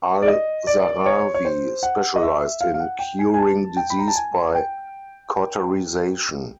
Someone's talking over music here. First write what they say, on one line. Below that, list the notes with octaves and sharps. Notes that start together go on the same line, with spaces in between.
Al-Zahrawi specialized in curing disease by cauterization.
D5
D#5
D5
C#5
C#5
C5
F#5
D#5
E5
F5
F5
F#5
G5
G#5
G#5
A5
G5
B5
A#5
A5
G#5
G5